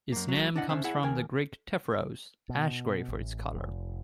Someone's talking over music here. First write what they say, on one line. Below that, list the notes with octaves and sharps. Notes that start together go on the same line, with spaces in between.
Its name comes from the Greek "tephros", "ash gray", for its color.
F#2 A#3
F#3 A3
D4 E4 D#5 F#5
C#3 A3 C#4 D4 C5 E5
E4 G#4 C#5 E5 F#5
D#2 A#4 G5 G#5
B2
A1
F1